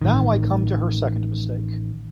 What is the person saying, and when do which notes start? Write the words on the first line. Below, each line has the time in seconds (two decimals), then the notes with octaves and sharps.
Now I come to her second mistake.
0.02 A1 D#3